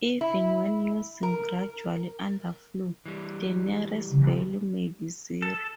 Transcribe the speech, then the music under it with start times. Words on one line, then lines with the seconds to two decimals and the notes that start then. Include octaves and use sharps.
Even when using gradual underflow, the nearest value may be zero.
0.21 E4
1.23 A#4
3.06 E3 G3
5.42 A4